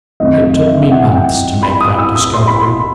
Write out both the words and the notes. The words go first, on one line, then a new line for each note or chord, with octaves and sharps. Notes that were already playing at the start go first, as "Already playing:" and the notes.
It took me months to make that discovery.
F#2 D#3 A3 C4 D#5
D#5
E5
E5
F#5
G5
B5
D#6
E6
D#6
C6
B5
C6